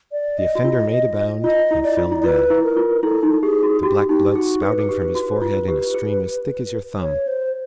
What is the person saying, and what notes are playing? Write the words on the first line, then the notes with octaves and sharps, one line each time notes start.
The offender made a bound and fell dead, the black blood spouting from his forehead in a stream as thick as your thumb.
D5
D#5
F#4
F4
F4 D#5
E4
D5
F4
E4
F4 B4
E4
A#4
F4
E4 A4
D#4
G4 G#4
F#4
F#4 G4
D#4 G4
F#4 G#4
G#4 B4
G#4
G4
F#4
F4
G4
G#4
C#5
C5